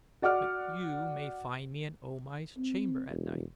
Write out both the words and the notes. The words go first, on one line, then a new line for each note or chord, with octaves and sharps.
But you may find me in O-Mai's chamber at night.
F#4 D5 F#5 D6 F6
C4
E1